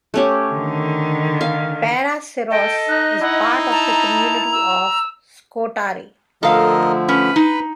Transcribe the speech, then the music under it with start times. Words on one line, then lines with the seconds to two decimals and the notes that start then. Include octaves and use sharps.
Parasyros is part of the community of Skoutari.
0.14 A3 C#4 G4
0.53 D3 D#3
1.41 F5
2.51 A4 D#5 G5
2.89 D#4 F#6
3.21 D#4 E4 F#5
3.72 A5 A#5
4.52 E6
6.43 D3 F3 A3 A4 A#4 D#5 F5
7.08 C#4 B4 B5
7.36 D#4